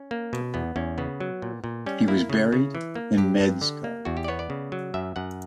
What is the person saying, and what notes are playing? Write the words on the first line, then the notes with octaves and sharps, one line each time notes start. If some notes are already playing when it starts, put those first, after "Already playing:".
He was buried in Medzkar.
Already playing: C#4
A#3
B2
E2 B3
E2 C#4
C#3 B3
F#3
A#2
A#2
G3 C#4
A#3 E4
C#3
C#3
E3
A#3
G2 G4
G2
D3
A#3
E2 F#4
G4
D5
B3 C#5
D5
C#3
F#3
F#2 E5
F#2 F#5